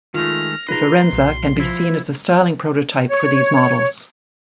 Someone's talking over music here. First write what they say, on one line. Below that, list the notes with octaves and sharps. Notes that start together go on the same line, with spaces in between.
The Firenza can be seen as a styling prototype for these models.
D#3 G#3 A3 F4 F6 A#6
D#4 F4 G#4 B4 A#5 C6
B1 A#2
F3 E4
C#5